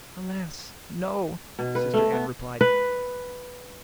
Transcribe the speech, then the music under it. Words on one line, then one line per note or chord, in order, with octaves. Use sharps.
"Alas, No!" Sister Anne replied.
B2
B4
A3
B3
B4